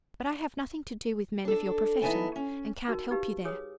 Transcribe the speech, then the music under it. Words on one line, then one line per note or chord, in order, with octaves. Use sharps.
But I have nothing to do with men of your profession, and can't help you there.
D4 A4
E3 B3 D#4 G#5 A5
C#4
D#4 F#4 A#4
D#4 G4 B4 F5
G#4 B4 C#5 G#5 D#6